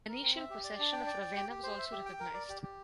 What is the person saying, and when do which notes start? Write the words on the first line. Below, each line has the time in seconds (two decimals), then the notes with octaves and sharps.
Venetian possession of Ravenna was also recognized.
0.08 A#4
0.22 C4
0.36 E5
0.50 G4
0.64 D5
0.79 D4
0.93 G5
1.07 D5
1.22 G5
1.36 G4
1.49 G4
1.63 C5
1.78 E5
1.92 G4
2.06 G5
2.20 A#4
2.34 D5
2.49 G4
2.63 G4